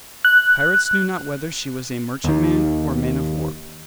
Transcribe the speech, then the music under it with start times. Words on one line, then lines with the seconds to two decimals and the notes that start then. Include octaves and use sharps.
The pirates knew not whether she was a merchantman or man-of-war.
0.25 F#6
2.24 D#2 D#3